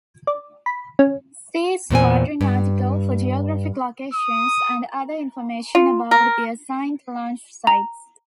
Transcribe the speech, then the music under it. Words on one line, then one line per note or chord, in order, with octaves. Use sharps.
See squadron article for geographic locations and other information about the assigned launch sites.
D5
B5
C#4
E2 A#2 C4 G#5
G2
D#6
F4
A#4
A#5